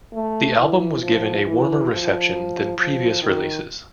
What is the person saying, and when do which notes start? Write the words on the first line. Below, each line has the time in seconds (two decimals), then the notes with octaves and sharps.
The album was given a warmer reception than previous releases.
0.14 A3
0.58 E3
1.02 F3
1.46 E3
1.90 F3
2.78 F3
3.22 D#3